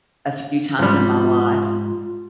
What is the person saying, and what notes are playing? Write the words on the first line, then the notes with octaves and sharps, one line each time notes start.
a few times in my life
G#2 F3 G3 F4